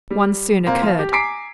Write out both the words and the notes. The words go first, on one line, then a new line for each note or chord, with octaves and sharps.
One soon occurred.
G3
A#2 A#3 C4 A#5
F3 F4
G4
G#5 A#5 D6 B6 C7 D7